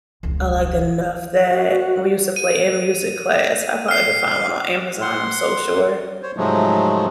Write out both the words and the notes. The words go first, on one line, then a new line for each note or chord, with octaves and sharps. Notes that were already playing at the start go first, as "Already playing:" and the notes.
I liked enough that we used to play in music class. I probably could find one on Amazon, I'm so sure,
E1 C#2
F#4
D#7
F6 C7
F#5 C6
C5 C#5
G#2 C3 F3 F#3 G#3 A3